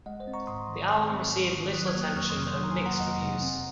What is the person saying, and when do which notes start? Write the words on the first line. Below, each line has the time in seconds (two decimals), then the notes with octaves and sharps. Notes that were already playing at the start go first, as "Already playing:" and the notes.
The album received little attention and mixed reviews.
0.06 G#3 D#5 F#5
0.20 C5 D#5
0.27 C4
0.34 A#5 C#6
0.47 G#2 C6 D#6
0.68 D#3
0.89 G#3 C#6 F6
1.11 C4
1.32 G#2
1.53 D#3
1.73 F#3 D#6 F#6
1.87 F6 G#6
1.95 A#3
2.01 D#6 F#6
2.16 F2 C#6 F6
2.29 C6 D#6
2.37 C3
2.43 C6 D#6
2.57 F#3
2.64 A#5
2.71 G#5 C6
2.79 A#3
2.85 F#5 A#5
2.99 F2 D#5 F#5
3.20 C3
3.42 C4